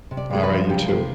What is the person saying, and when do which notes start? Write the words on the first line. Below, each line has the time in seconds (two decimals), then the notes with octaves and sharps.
Alright, you, too.
0.11 C3
0.17 D5
0.30 G#3 G#4
0.43 B4
0.50 F3
0.69 C3 G4
0.88 C3 C5